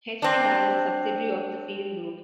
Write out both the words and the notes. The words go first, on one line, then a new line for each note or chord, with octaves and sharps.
H and R is a subsidiary of the Freedom Group.
C4 D4